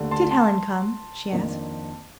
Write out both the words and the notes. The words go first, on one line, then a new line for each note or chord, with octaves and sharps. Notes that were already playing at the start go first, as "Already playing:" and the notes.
"Did Helen come?" she asked.
Already playing: D#2 D3 A3
A5 C6
A5 C6
F2 D#3 A#3 D4